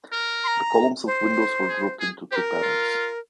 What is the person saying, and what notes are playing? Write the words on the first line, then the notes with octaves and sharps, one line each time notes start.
The columns of windows are grouped into two patterns.
A#4
C6
A#5
C5
G#4
G#4
G4 A#4 C5
F4